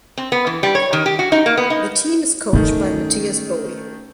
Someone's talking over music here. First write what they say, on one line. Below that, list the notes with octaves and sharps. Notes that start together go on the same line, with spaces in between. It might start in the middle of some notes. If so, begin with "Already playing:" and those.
The team is coached by Mathias Boe.
C4
B3
E3
G3
C#5
D#3
G4
F#4
D#4
A#3
B3
D#4
D#3 A3 C#4